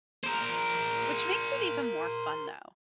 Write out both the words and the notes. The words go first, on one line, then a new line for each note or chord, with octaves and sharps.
Which makes it even more fun though.
A#4 C5